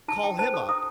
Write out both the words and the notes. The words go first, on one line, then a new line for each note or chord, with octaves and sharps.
Call him up
E4 A5
E4 G5
C5 A5
A4
E4 D#6